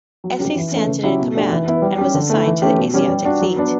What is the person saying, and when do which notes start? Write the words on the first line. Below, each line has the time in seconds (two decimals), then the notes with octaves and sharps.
S. A. Stanton in command, and was assigned to the Asiatic Fleet.
0.24 F#3
0.39 C#4 G4
0.56 E3
0.72 A3 C#4
0.87 C#3
1.03 F#3 C#4 E4 G4
1.19 B2
1.35 A3 D4 G4
1.50 E3
1.66 B3 E4
1.82 G3
1.98 C#4 G4
2.14 D3
2.30 A3 E4
2.46 E3
2.62 A3 C#4 G4
2.78 B2
2.94 G3 C#4 G4
3.09 G3
3.25 D4 F#4
3.41 F#3
3.56 B3 D4